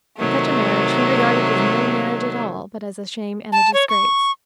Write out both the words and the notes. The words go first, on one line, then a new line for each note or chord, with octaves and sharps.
Such a marriage he regarded as no marriage at all, but as a shame and a disgrace.
C3 D#3 F#3 A3
A5
C#5
C#6